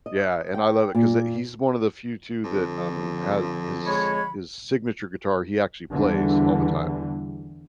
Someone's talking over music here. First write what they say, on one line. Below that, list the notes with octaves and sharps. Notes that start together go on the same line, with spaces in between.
Yeah, and I love it 'cause it he's one of the few too that, um, ha his his signature guitar, he actually plays all the time.
D#5
G5
A#2
F2 D3 F3
G#3 C#5 B5
E2 D3 E3 G3